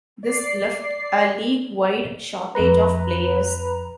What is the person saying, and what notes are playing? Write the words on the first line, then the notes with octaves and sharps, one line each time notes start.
This left a league-wide shortage of players.
D5 C7
F2 B4 A#5